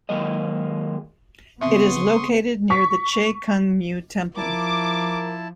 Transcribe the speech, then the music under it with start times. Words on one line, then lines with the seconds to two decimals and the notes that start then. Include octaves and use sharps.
It is located near the Che Kung Miu temple.
0.09 D#3 F#3 G#3 A#3 G#4 D#5
1.61 C#3 B3 C4 E5 C6 C#6 D#6
2.70 C#6 B6
4.37 F3 E4 A#4 A5 D6